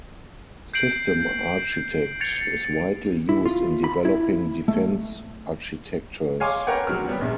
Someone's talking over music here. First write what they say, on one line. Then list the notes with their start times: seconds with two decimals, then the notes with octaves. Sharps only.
System Architect is widely used in developing defense architectures.
0.74 G6 C7 D7 F#7
2.21 G#6 A6 C#7 F7
3.29 E4
3.46 F4
3.84 B5
4.05 E4
4.68 A3
6.40 C#5 F5 G#5 C6 D6
6.67 A#4 B4 C#5 F#5 G5
6.87 F#3 F6
7.08 G3 B3
7.21 A#1